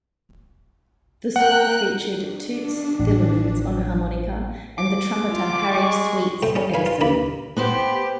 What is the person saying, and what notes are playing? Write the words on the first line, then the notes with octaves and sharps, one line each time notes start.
The score featured Toots Thielemans on harmonica and the trumpeter Harry "Sweets" Edison.
A#4 F#5 G5 F#6
D4
A1
D6
E4 F4
G#3 C#6
A3 C5 G5
G3 C#4
B4 F5 G#5
F4
D#2 A#3 B4 B5
B3 G4 B4 C5